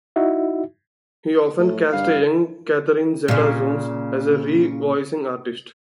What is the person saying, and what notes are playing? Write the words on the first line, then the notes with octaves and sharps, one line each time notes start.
He often cast a young Catherine Zeta Jones as a re-voicing artist.
D#4 E4 F#4 E5
A2
G2 F5
A#2 C#3